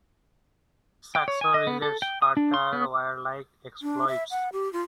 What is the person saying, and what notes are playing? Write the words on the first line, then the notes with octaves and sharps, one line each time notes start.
Saxo relates further warlike exploits.
G5
C#5
G#5
D#5
B3
A4
G5
D#6
D4
C6
B3
D4
E5
F#5
G4
F4